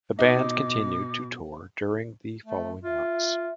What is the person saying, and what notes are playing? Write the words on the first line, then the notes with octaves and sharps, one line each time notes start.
The band continued to tour during the following months.
B2 D#4 D6
A3
F4 E5